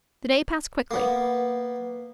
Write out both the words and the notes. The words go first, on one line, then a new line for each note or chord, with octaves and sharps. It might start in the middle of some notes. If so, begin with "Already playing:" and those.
The day passed quickly.
A#3 B3